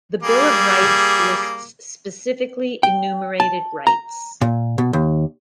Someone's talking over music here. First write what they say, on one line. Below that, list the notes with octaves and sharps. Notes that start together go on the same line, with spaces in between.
The Bill of Rights lists specifically enumerated rights.
G3 A#3 G#4
G5
A5
A#5
A#2
B2
D#2